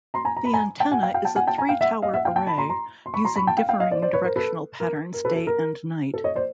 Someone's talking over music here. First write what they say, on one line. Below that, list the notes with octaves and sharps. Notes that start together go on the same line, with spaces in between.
The antenna is a three-tower array, using differing directional patterns day and night.
A#5 C6
G#5 A#5
A#5
B5
G#5 A#5
G5 A5
F#5 G#5
F5 G5
F5 G5
G5 A5
F#5 G#5
G5 A5
G#5 A#5
F5 G5
E5 F#5
D#5 F5
E5 F#5
F5 G5
G5 A5
A5 B5
A#5 C6
A#5 C6
C6
B5 C#6
A#5 C6
B5 C#6
G5 A5
F5 G5
F5 G5
D#5 F5
C5 D5
C5 D5
B4 C#5
A#4 C5
A4 B4
A#4
A#4
A4 B4
A4
A#4
A4
C#5 D#5
C5 D5